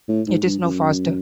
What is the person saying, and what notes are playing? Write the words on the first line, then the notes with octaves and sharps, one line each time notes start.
It is now faster.
A2
G#2
G2
F#2